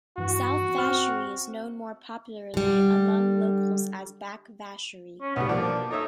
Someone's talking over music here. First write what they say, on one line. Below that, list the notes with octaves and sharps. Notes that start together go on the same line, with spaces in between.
South Vacherie is known more popularly among locals as Back Vacherie.
G2 E3 F#4
C4 C#6 F6
D3 G3
C#4
B1 G3 B3
F3 A#3 D5
D4
D#4 A4 C#5 E5